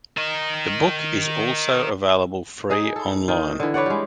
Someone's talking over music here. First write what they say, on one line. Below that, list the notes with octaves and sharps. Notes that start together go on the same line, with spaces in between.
The book is also available free online.
A#4 D#5
D#4 G#4 D#5
A4
D#3
D3 E3
B4 C#5 D5 F#5
G3 G#3